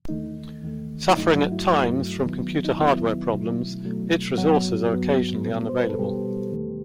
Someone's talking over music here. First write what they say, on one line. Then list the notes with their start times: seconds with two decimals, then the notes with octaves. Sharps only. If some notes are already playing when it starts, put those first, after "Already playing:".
Suffering at times from computer hardware problems, its resources occasionally are unavailable.
0.09 D#2 D#3 A3 D#4
0.63 D#2 D#3 A3
1.09 E4
1.16 G2 F#3 A3 D#4
1.34 F#3 F#4
1.52 E4
1.70 G2 F#3 A3
2.23 D#2 D#3 F#3 B3
2.65 D#4
2.77 D#2 D#3 F#3 B3 E4
3.31 B2 F#3 A3
3.85 B2 F#3 A3
4.38 G2 F#3 B3 F#4
4.92 G2 F#3 B3
5.45 B2 G3 B3
5.69 C5
5.80 B4
5.89 A4
5.99 B2 G3 B3 G4
6.52 D#2 D#3 A3